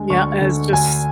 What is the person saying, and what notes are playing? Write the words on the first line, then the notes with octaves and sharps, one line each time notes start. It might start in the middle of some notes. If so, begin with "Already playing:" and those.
Yeah, it's just
Already playing: D2 D3 G#3 D4
D2 C#6
D3
D2 G#5